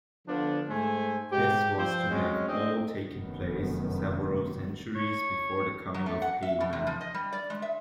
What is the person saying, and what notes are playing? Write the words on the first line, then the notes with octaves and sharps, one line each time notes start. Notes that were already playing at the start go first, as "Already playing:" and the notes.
This was to have all taken place several centuries before the coming of He-Man.
D3 F3 B3 D4
G#2 A3 C5 G#5
G#2 G4
F3 C4 C5
F#3 G#3 C4 C#4
A2 C4 D4 D#5
F1 F#2 D#3 B3
C#5
F#3
A3
F#5
E5
B2
C3
F3
D#5
G3
D5
G#3
E5